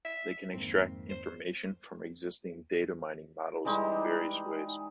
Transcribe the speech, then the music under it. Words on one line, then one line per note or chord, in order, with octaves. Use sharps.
They can extract information from existing data mining models in various ways.
E5
G#1 F2 A#3 C4
C5
E3 G3 G#3 D#4